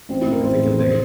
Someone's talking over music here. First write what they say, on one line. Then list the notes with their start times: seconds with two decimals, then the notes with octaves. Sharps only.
I think you'll dig it.
0.09 A1 C4
0.21 A2 E4
0.32 E3 A#4
0.44 A1 C5
0.62 A2 E3
0.79 F1 C5